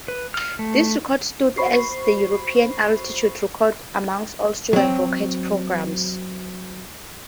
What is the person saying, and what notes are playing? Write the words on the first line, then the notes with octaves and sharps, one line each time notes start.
This record stood as the European altitude record among all student rocketry programs.
B4
F6
A3
F#4 C5 B5 C#6 C7
F#3 C4